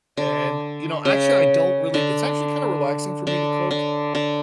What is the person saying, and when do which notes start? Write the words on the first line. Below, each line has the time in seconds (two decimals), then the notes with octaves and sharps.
A and, you know, actually, I don't really it's actually kinda relaxing for me to cook,
0.17 D3
1.05 C#3
1.94 D3
3.27 D3
3.71 D3
4.15 D3